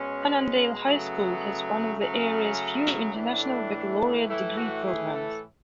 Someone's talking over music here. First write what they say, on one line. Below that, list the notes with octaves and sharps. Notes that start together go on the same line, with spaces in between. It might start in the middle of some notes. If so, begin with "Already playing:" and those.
Annandale High School has one of the area's few International Baccalaureate Degree programs.
Already playing: B2 G#3 C#4
C#3 F#3 A3 B3
C#3 F#3 A3 C#4
A2 E3 A3 D4
A2 E3 A3 E4
F#4
G#4
A4